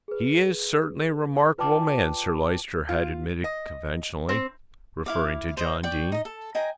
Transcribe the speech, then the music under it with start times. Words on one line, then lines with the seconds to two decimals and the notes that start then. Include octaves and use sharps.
"He is certainly a remarkable man," Sir Lyster had admitted conventionally, referring to John Dene.
0.08 G#4 B4
1.58 F4 B4 D5 G5 A5 D6
2.89 F4
3.44 D#5
4.29 C4
5.06 E4 F5 D6
5.57 C5 D#5
5.83 D5 G5 C#6
6.12 D#4 D#5
6.25 A4
6.55 D#5 G5 G#5 A#5